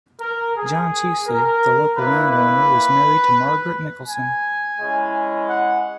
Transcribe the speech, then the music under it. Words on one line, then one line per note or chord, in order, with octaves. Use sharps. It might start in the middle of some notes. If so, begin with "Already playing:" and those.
John Chiesley, the local landowner was married to Margaret Nicholson.
A#4
G#4
A#4
A#3 E4 B4
B4
G#5
G#3 C#4 E4
F#5